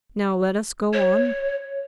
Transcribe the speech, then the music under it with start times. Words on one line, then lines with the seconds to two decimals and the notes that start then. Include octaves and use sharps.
Now let us go on ...
0.93 C#5